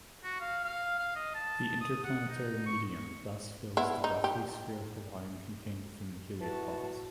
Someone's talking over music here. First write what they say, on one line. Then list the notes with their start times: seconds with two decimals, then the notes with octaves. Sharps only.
The interplanetary medium thus fills the roughly spherical volume contained within the heliopause.
0.23 F#4
0.40 F5
0.64 F5
0.98 F5
1.16 D#5
1.35 A5
1.81 D#6
2.04 F#5
2.29 D#4
2.66 C#6
3.77 B3 E4
4.04 D#4
4.24 G4
6.40 E3 F#4 A5